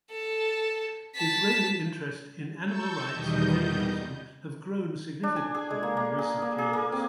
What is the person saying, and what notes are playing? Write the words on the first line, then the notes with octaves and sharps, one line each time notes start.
Israeli interest in animal rights and veganism have grown significantly in recent years.
A4
A5 B6
A5 C#6 E6 G6
E2 B2 D#3 G3 D#5 G6
D4
G#5
G#4
G#3
A#3
A#3
G#4
A#3
G#4
A#3
C4